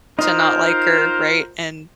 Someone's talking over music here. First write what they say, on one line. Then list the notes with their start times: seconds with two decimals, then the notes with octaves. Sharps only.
to not like her, right, and
0.19 D#4 F4 A#4 C5